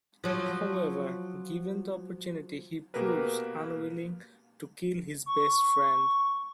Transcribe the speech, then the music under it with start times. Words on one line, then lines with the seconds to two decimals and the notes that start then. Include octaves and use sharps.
However, given the opportunity he proves unwilling to kill his best friend.
0.24 F3 F#3
2.94 B2 A#3 G4 G#4 A#4 B4
5.26 C#6